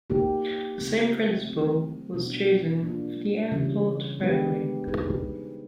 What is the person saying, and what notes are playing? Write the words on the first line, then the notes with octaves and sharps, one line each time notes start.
The same principle was chosen for the airport rail link.
A#3 D#4 G4
C#3 F3 A3 C4
F#3 A3 C4 E4
B2 G3 B3 D4 F#4
A#3 D4 F4
C#3 E3 G3
G#3 B3 D4 G4 B4
G3 B3 D#4 G#4 B4